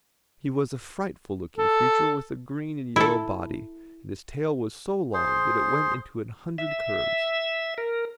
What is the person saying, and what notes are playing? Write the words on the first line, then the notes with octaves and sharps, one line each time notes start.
He was a frightful looking creature with a green and yellow body, and his tail was so long that it went into a hundred curves.
A4
E4 A4
G#4 C5 C6
E5
A#4